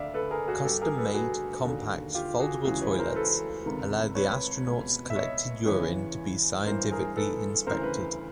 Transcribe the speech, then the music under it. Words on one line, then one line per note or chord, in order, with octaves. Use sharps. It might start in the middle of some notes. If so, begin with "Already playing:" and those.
Custom-made, compact, foldable toilets allow the astronaut's collected urine to be scientifically inspected.
Already playing: D2 D3 D5 E5 F5
A4 B4
G#4 A#4
F#4 G#4
G2 D3 G4 A4
G#4 A#4
A4 B4
F#4 G#4
D#2 D3
F4 G4
F#4 G#4
C#2 C#3 E3 F#4 G#4
B4 C#5
A#4 C5
A4 B4
C#2 C3 D#3
B4 C#5
C#2 B2
E5
C#5 D#5
E2 C#3 E3 B4 C#5
G2 E3 A#4 C5
G#4 A#4
A4 B4
D2 C#3 E3 A#4 C5
B4